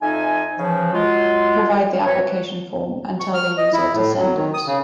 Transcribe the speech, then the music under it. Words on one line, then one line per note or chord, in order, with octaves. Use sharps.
Provide the application form, and tell the user to send it.
F2 F3 D#4 E5 G#5
C#3 E3 F3
F#3 G#3 F4
E3 C4 F#4 B4 C#5
C#6
F6
D#5
E4
A2
F#3
D#3
D#6
C#3